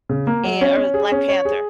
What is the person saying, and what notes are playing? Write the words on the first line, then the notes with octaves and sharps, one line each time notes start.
and or Black Panther.
C#3
A#3
F#3
C#4
C#4
G#4
C#4
C#5
G#4